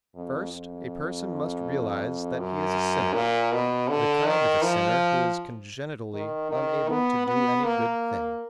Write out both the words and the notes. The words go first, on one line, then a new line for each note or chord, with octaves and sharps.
First, a person must realize that he is a sinner, the kind of a sinner who is congenitally unable to do any good thing.
F2
F2
F#2
A#2
B2
D3
D#3
F3
D#3
D#3
B3
B3
A#3